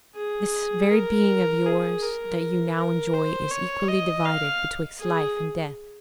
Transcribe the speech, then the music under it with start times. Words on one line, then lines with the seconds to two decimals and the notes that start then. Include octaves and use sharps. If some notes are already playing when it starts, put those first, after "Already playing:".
This very being of yours that you now enjoy is equally divided betwixt life and death.
0.16 G#4
0.91 A#4
1.66 G#4
2.03 A#4
2.76 A#4
3.14 C5
3.51 C#5
3.88 D#5
4.25 F5
5.00 G#4